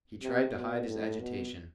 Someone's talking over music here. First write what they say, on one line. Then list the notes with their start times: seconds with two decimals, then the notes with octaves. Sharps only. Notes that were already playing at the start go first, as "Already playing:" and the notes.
He tried to hide his agitation.
0.22 C3
0.55 B2
0.87 A2
1.19 B2